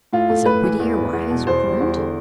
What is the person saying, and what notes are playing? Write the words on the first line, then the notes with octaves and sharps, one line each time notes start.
Is it witty, or wise, or learned?
A2 F4
A3
A2 B4
E3
E2
B3
E2
B2
E2 C5
G3
E2
D3